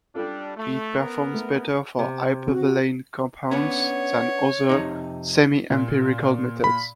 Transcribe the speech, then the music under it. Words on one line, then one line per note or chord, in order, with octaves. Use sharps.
It performs better for hypervalent compounds than other semiempirical methods.
G3 D4 F4 A4
A3
B3 A#4
A3
C3
C4 F#4
B3 C#4 D4 C#5
F2 C3 D#4
A#2
B5